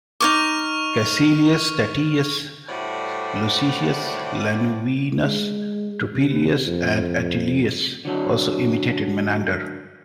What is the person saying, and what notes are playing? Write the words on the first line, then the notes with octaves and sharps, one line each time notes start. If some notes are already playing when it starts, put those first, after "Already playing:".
Caecilius Statius, Luscius Lanuvinus, Turpilius and Atilius also imitated Menander.
D#4 C#5 C#6 D6 F6 F7
A2 G3 A3 F#4 C5 D5
G#3
C3
F2
D3 F#3 D4